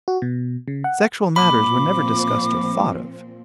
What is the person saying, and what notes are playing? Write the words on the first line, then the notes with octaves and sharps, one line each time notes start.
Sexual matters were never discussed or thought of.
F#4
B2
C#3
F#5
A#2 F3 C4 B5 D6